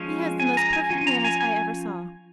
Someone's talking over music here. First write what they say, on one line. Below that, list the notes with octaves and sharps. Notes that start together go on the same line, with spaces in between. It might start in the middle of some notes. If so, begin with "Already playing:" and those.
He has the most perfect manners I ever saw.
Already playing: F3 G#3 C#4
G#5
A#5
G#5
F3 C#4 G#5
A#5
G#5
G#5